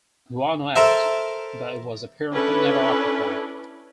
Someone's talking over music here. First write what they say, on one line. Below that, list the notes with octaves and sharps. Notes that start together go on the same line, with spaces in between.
Guano Act, but it was apparently never occupied.
A4 A#4 C5 E5
C#4 D4 E4 A4 B4